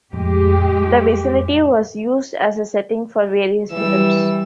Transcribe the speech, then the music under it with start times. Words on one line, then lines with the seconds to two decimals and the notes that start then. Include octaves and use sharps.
The vicinity was used as a setting for various films.
0.13 F2 A2 G#3 G4
3.72 E3 G3 E6